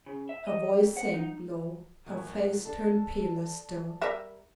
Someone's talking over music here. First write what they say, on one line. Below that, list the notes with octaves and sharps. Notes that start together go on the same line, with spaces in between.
Her voice sank low; her face turned paler still.
C#3
E5
D#5
F2
F#5
D#4
F#2 A2 F#3
D4 A4
G3 A#4 E5